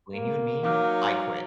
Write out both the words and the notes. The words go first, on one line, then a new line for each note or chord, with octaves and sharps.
between you and me, I quit.
A#3
F#3 D#4 F5 D6 F6